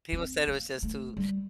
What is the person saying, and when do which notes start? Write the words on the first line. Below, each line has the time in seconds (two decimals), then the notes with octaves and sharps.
People said it was just too
0.12 C4
0.47 A#3
0.83 A3
1.17 G3